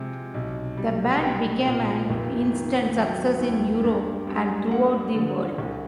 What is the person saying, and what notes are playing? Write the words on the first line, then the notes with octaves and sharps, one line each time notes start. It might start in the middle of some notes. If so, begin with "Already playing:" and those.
The band became an instant success in Europe and throughout the world.
Already playing: C3 F3 G#3
B1
G3
B3 G5
A#2
F1
D#3
F#3 G5
D#2
G2
G3
A#3 F#5
D3
C2